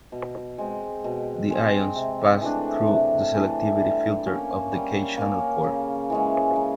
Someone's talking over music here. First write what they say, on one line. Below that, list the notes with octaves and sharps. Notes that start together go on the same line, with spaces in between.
The ions pass through the selectivity filter of the K channel pore.
B2
G#3 C4
B2
G#3 C4
C3
E3 A3 D4
C3
E3 A3 D4
G3
A#3 C#4
G3
A#3 C#4
C#3
E3 G#3 C#4
C#3